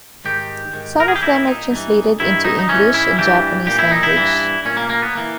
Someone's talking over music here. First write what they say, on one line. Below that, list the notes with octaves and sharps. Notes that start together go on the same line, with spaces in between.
Some of them are translated into English and Japanese language.
G#2 D#3 G4
G#2 D#3
A#4
G#4
G4
A#2 E4
D#4
G2 E3
G2 D#3 E4
D#4
D#4
G#2 E3 C#4
E4
G2 E3 G4
A#2 G4
E4
D#4
E4
G2 E3
A#2 C#4
A#3
A#3
B3
E3 A#3